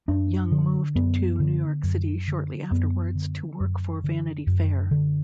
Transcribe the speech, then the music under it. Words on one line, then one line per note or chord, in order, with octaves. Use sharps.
Young moved to New York City shortly afterwards to work for "Vanity Fair".
F#2 D4
D3
F#2 B3
D3
F#2
D3
F#2 B3
D3
F#2
D3
F#2
D3